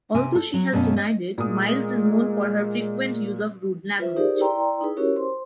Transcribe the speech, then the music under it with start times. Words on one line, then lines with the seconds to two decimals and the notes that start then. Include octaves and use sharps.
Although she has denied it, Miles is known for her frequent use of rude language.
0.15 C3 G#5
0.35 A4
0.54 F#3
0.72 F#2 B2 A#3 C#4 A5
0.96 D#5
1.38 A#2 G#3 D#6
3.99 F4 B4 C5 E5
4.16 D#4 G4 G#4 A#4 C5 D5
4.40 E4 B4 D5 G5 A#5 C6
4.81 D#4 E4 G#4 B4
4.97 C#4 E4 F#4 G4 A#4 C#5
5.16 C5 C6